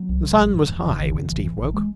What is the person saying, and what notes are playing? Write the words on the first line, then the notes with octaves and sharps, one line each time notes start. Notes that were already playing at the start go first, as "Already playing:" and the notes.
The sun was high when Steve woke.
Already playing: F#3
C2
C3
A1
G#2
E1 E3
E2 C#3
G#1 D#3
F#2 C#3 E3
A1 E3
G#2 E3
A1 E3
G#3